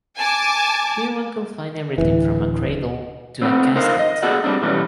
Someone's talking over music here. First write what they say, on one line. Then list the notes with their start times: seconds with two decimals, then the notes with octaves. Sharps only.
Here one could find everything from a cradle to a casket.
0.18 G#5 A5 D6
1.98 D1 C2 E3
3.42 A3 B3 C4
3.76 D#4 A#4 C5 F5
3.99 D#5
4.23 B3 F#4 G#4 A4 D5 F#5
4.44 G3 A3 C4 D4
4.62 B2 E3 G3 A3 B3 C#4